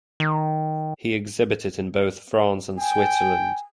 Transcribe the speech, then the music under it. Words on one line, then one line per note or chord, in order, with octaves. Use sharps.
He exhibited in both France and Switzerland.
D#3
G5 G#5